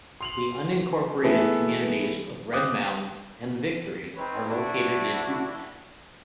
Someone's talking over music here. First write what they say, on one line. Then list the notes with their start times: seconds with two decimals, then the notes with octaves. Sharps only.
The unincorporated communities of Red Mound, and Victory are located in Wheatland.
0.21 C6 F7 F#7
1.23 E3 A3 B3 E4 G#4 A4
2.52 F5 G5 D6 D#6 F#6 G6
4.17 C4 D#4 B4 C#5
4.48 D4 E4 F#4